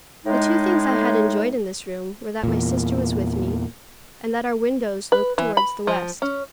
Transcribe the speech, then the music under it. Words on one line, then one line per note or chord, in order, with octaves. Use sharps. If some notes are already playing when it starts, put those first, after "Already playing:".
The two things I had enjoyed in this room were that my sister was with me, and that our windows looked toward the west.
A2 G#3 D#4
E2 A#2
B4
E3
B5
F3
C#4